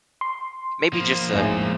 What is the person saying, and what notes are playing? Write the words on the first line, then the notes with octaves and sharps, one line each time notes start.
maybe just a
C6
F3 A#3
A1 E2 G#2